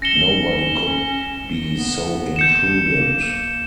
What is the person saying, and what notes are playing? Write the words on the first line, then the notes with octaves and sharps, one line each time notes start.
Nobody could be so imprudent!
C#4 A#6 C#7 E7 G7
B3
G6 C#7 E7
A#3